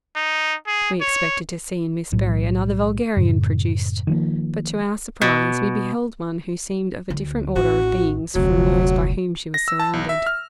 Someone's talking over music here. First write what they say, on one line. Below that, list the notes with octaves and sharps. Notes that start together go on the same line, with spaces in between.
We expected to see in Miss Berry another vulgarian produced, but to our surprise, we beheld one who seemed of a different order of beings from those by whom she was surrounded.
D#4
G#4
C#5
B1 A2 F#3
F#2 A2 C#3
D#3 F3 A#3
B2
D2
A1 F#4
F1 D2 F#3
A#6
E6
A5
B1
E5
F6